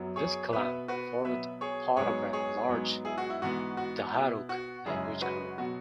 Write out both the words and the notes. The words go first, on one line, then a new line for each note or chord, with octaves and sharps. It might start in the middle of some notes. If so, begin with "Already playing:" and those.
This clan formed part of a large Dharug language group.
Already playing: F#2 F#3 B3
G#4 C#5
B2 B3 B4 E5
F#4 B4
B2 F#3 B3 B4 E5
G#4 C#5
G#2 F#3 B3 G#4 C#5
G#4 C#5
G#2 F#3 B3
E4 G#4
F#4
E4
G#2 E3 B3 F#4
F#4
B2 B3 E4
F#4
F#2 C#3 G#3 E4 G#4
F#4 B4
B2 F#3 B3 F#4